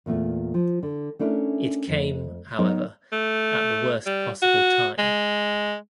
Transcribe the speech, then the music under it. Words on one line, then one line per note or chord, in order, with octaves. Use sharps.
It came, however, at the worst possible time.
E2 A#2 A3 B3
F3
D3
A3 C#4 D4 E4 A#4
F2 A3
F#3 B3 D#4 A#4 C#5 D#5
A3
G3
F#4
G#3